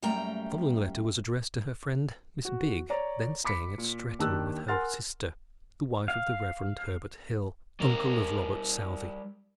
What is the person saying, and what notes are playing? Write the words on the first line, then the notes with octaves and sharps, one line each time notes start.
The following letter was addressed to her friend Miss Bigg, then staying at Streatham with her sister, the wife of the Reverend Herbert Hill, uncle of Robert Southey.
F#2 G3 A3 A#3 G5 A#5
F#4
C#5 D5 A#5
B5 D6 B6 C#7
A#2
D#2 D#3 D4 G4 E6 F#6
A#4 F#5 G#5 C6 F6 A6
F5
G3 A#4